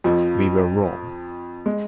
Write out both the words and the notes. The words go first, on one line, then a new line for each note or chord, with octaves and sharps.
We were wrong.
F2 F3
G#3